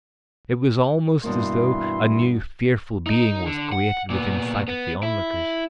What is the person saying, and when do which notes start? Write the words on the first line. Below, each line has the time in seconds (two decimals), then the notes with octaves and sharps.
It was almost as though a new fearful being was created within sight of the onlookers.
1.24 G2 B2 E3 A#3 E4 C6
3.07 D#4 D#5
3.46 D3
3.72 F#5
4.10 A#2 B3
4.68 B3
5.03 E4